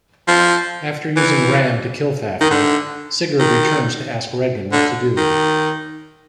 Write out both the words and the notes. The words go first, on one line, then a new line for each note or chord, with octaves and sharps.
After using Gram to kill Fafnir, Sigurd returns to ask Reginn what to do.
F3
E3
D#3
D3
D#3
D3
D#3